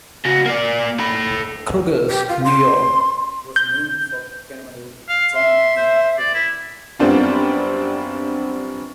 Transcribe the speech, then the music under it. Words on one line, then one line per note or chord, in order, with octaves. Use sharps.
Crugers, New York, was named for Colonel John P. Cruger.
C#3 F#4
A#3 D5
A4 B5
G4
F4
C6
G6
F5
E5 C6
C5
D5
E4
F#2 G3 B3 C4 D4 F4